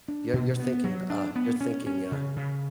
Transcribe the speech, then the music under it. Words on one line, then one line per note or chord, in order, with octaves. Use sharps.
Yeah, you're thinking, uh you're thinking, uh
D4
B2
B3
F#3
D4
B3
C#4
C#4
C#3
C#3